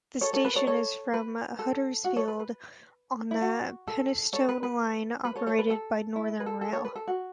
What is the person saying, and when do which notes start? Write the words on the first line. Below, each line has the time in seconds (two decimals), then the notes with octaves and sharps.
The station is from Huddersfield on the Penistone Line operated by Northern Rail.
0.21 A4 C#5
0.33 A4 C#5
0.45 B4
0.55 A4 C#5
0.67 A4 C#5
1.13 B4
1.59 A4
2.04 F#4
2.16 A4 C#5
2.28 B4
2.39 B4
3.31 E4
3.41 F#4
3.88 A4
4.33 A4 C#5
4.49 B4
4.63 B4
5.25 B4
5.36 A4 C#5
5.47 A4 C#5
5.59 B4
5.70 A4
6.16 E4
6.40 B4
6.46 A4
6.61 A4
6.72 A4 C#5
6.85 B4
6.96 A4
7.08 F#4